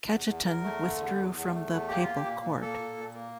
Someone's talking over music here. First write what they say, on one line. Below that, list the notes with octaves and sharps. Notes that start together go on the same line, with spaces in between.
Cajetan withdrew from the papal court.
E2
E2
E2 A#4
A3
D3
E2
E2
E2
A3
E2
A#3 G4
A#3 F4
G4
A#2
A#2
A#3 A4
A#2
A#2
A#3